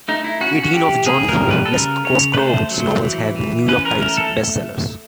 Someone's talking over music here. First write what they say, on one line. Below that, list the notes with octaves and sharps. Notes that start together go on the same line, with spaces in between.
Eighteen of John Lescroart's novels have been "New York Times" Bestsellers.
A3 D#4
E4
C#4 F#4
F#4
E3 G4
A#3 G#4
A#4
G3
B4
A4
C#3 A#4
C#3 C#5
B4
A3 C5
F#3
E3
E3
C#4 B4
A#4
A3 A#4
A4